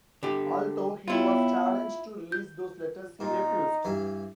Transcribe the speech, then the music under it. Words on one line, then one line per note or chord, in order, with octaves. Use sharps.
Although he was challenged to release those letters he refused.
D3 G4
B3 E4 F4 C#5 G5
G6
A#2 D#4
G2 E3